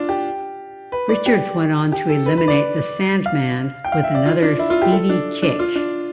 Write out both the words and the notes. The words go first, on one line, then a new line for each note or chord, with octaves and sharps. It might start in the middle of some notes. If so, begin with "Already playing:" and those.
Richards went on to eliminate The Sandman with another "Stevie Kick".
Already playing: D4 F4
G4
B4
D5
G4
G4
A4
B4
B4
D5
F5
G5
F5
E5
D5
F4
D4
E4
F4
G4
A4
D4
D4
F4
D4